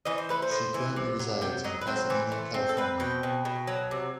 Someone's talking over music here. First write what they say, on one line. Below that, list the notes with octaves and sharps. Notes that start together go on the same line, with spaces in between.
She currently resides in Pasadena, California.
E3 D#5
C5
A3 B4
C5
A2
E3
C3
F#3
C3 G5
F#3 D#5
B4
C4 C5
E3
A3
C4
A4
C4 B4
B2 G5
B2
B2
F#3
C3